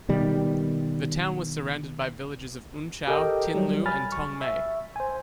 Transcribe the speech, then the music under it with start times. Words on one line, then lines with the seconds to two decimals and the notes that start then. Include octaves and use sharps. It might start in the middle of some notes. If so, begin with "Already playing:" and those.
The town was surrounded by villages of Un Chau, Tin Liu and Tong Mei.
0.09 B2 D#3 G3
3.07 G4 A4 A#4 D#5 G5
3.55 F#3 G3
3.86 G#5 B5 F6 A6
4.12 C#6
4.41 E5
4.96 C5 G#5